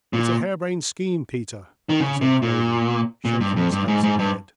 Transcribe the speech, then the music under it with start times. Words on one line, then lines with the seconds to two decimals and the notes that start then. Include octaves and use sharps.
"It's a harebrained scheme, Peter," he said gravely, shaking his handsome head.
0.13 A#2
1.89 D#3
2.00 C#3
2.21 C3
2.42 A#2
3.25 A#2
3.41 G2
3.56 F2
3.72 G2
3.88 G#2
4.03 G#2
4.19 G2